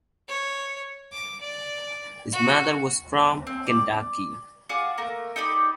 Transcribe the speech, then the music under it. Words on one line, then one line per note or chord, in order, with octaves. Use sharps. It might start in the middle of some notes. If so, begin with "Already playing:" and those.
His mother was from Kentucky.
C#5
D6
D5
F#4
C4
D5
F4 F#4 G#4 D5
A3 A#3 A#4
D#4 G4 D5 B5